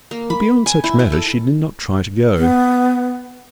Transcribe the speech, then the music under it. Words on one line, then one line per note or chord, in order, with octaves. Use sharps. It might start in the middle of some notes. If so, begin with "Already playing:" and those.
But beyond such matters she did not try to go.
A#3
B5
G#5
E4
E4
A4
B3